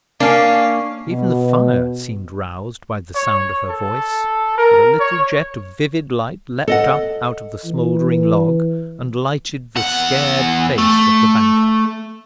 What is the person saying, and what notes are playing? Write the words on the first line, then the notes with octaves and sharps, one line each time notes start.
Even the fire seemed roused by the sound of her voice! for a little jet of vivid light leaped up out of the smouldering log, and lighted the scared face of the banker.
A#3 C#4 D4 F5
B2
C#5
A4
A#4
C#5
A4 D#5 F#5
E3
E2 F#5
A3